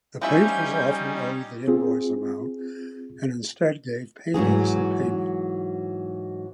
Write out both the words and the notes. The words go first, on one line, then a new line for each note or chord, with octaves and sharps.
The painters often owed the invoice amount and instead gave paintings in payment.
F3 G3 C#4 D#4 E4 E5 G#5 G6
C4 F4 G#4
G#2 E3 F#3 G#4